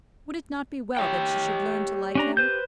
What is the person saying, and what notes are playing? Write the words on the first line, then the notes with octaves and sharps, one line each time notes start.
Would it not be well that she should learn to like him?
G4 C#5 G5
C#4 D4 A#5
B4 C5 G6